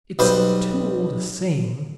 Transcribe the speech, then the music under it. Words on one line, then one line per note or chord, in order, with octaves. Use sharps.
It's too old a saying.
B1 G3 B4 C5